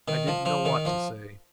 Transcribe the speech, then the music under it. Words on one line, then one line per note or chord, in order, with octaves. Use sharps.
I didn't know what to say.
D#3
F3
F3
D#3
F3